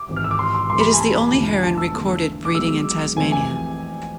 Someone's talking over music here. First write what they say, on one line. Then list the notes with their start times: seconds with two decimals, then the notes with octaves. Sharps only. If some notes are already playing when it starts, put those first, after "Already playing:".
It is the only heron recorded breeding in Tasmania.
Already playing: D6
0.08 G#1 G#2 E3
0.16 F6
0.24 E6
0.31 D6
0.39 C6
0.55 C6
0.69 C2 C3 E3 A3 C6
0.80 B5
0.93 G#5
1.00 A5
1.31 E1 E2 D3 F3 A3
1.63 A5
1.78 E6
1.94 E2 D3 F3 A3
2.45 D6
2.55 B1 B2 G#3 E6
3.17 F2 E3 A3 G#5
3.32 G#5